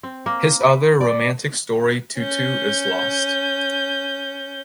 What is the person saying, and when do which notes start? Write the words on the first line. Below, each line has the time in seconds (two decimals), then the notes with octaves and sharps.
His other romantic story "Tutu" is lost.
0.03 C4
0.26 A#3
0.61 B4
1.01 D5
2.18 C#4 G6